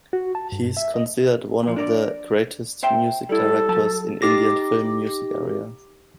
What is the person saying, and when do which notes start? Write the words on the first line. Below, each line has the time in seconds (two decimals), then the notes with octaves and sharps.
He is considered one of the greatest music directors in Indian film music arena.
0.13 F#4
0.35 A5
0.52 G2
0.77 E5
0.94 D#5
1.63 A#2 F3
1.76 D4 A#4 D5
2.83 C5 E5 G5
3.29 G3 E4 A4
3.69 F#3 A5
4.22 D#4 G4 D6 A#6